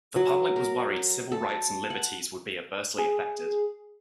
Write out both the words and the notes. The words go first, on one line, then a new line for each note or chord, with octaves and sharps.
The public was worried civil rights and liberties would be adversely affected.
F#3
A#4
A4
F#5
G#4